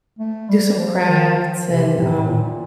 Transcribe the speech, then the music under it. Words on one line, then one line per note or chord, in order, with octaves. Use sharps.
do some crafts and, um,
A3
G3
F3
D#3
C3
A2
A#2